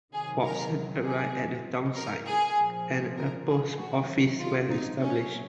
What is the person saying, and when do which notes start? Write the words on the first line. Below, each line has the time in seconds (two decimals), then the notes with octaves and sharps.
Watson arrived at the town site, and a post office was established.
0.13 C3 D#3 F#3 G#4
0.44 A#4
1.04 G#4
1.35 A#2 F3
1.96 A#4
2.26 G#4
2.57 A#2 F3
3.17 A#4
3.48 G#4
3.78 C3 D#3 F#3 F#4
4.39 F4
4.69 D#4
5.00 A#2 F#3 C#4